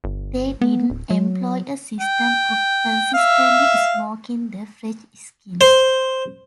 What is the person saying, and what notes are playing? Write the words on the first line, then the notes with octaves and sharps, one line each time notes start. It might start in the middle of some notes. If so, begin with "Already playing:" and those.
They didn't employ a system of consistently smoking the fresh skins.
G1
B3
D1
F#3
G5
E5 F5
C5